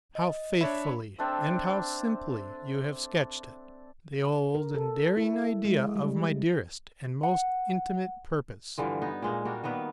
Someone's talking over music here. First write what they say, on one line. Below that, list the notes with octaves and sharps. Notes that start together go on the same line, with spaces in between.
How faithfully and how simply you have sketched it, the old and daring idea of my dearest and most intimate purpose!
D#5
D4 C#5 E5 B5
C4 D4 A4 E5
A#4
A4
E4
G#3
G3
F#5
G2 D3 E3 F3
B3 D#4
A#2 G#3 A#3
G3 A#3 D4 F#4
D#3 A#3 B3 B4